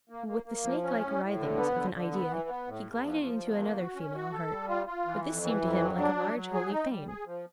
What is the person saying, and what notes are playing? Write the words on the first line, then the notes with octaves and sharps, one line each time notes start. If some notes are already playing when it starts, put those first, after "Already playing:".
With the snake-like writhings of an idea he glided into another female heart; but this seemed to him like a large holy fane.
A#3
A#3
A#3
F3
C#4
A2
A2
D3
B3
D3
D3
B3
E3
B3
A2
E2
F3
F3
E2
A#3
F#4
C#4
F#4
A4
G3
F4
F4
E3
F2
E3
F2
F#3
D4
F#3
F#3
G#4
D#4
G3
G#4
F3